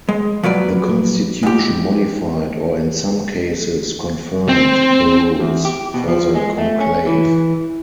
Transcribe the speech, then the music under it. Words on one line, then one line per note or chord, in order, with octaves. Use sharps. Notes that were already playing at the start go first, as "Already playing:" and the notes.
The constitution modified or in some cases confirmed the rules, for the conclave.
G#3
F3 F#3 B4 D5
G#2 G4
C4
E2
G4
B2
F3
G#3
A3
C#4
E3